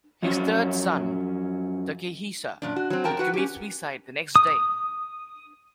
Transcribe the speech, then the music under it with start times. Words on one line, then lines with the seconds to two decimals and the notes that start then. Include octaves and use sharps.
His third son Takehisa would commit suicide the next day.
0.22 F#2 F3 F#3 C#4 F4
2.62 F#2 A#2 D4
2.76 F#4
2.90 F#3 C4
3.04 F2 C4 A#4 G5 A5 A#5
3.19 F#4 B4 F#5
3.34 C#4 G4
4.36 D#6